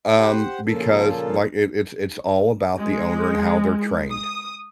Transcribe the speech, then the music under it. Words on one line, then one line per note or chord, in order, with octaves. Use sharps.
Um, because, like, it it's it's all about the owner and how they're trained,
G4 C5 F#5
A#2 C#3 F3 A#3 F4 A4
G#3
D#6